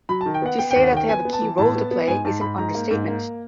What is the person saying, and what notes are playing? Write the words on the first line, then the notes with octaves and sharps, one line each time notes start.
To say that they have a key role to play is an understatement.
F#3 B5
A5
D#3
G5
B3 F#5
B3 G5
G5
D#2
F#5
D#3
G5
B3 G#5
B3
A5
E3
A2 A5
B3
B3
G#2 G#5
G#2 A5
G#2 B5
G#2 A#5
A#3
G#2
A#3